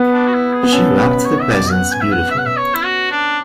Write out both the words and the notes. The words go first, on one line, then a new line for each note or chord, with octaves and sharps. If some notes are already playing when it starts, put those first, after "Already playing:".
She wrapped the presents beautifully.
Already playing: B3
D4
F#4
E4
G#4
B3
C#4 A4
B4
C#5
E5
D5
F#5
G#5
E5
F#5
E5
F#5
E5
C#5
E4
F#4
D4